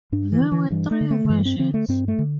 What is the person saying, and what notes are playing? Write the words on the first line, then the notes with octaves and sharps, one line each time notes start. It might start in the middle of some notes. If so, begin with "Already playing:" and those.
There were three versions.
G2 D4
E3
D3
E3
G2 E3
A3
D3
A3
D3
G2 E3
A3
C4
D3 C4
A3
G2 C4
A3
D3